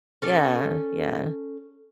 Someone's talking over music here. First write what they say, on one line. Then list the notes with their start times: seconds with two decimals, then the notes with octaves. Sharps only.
Yeah. Yeah.
0.22 C#4 A4 D5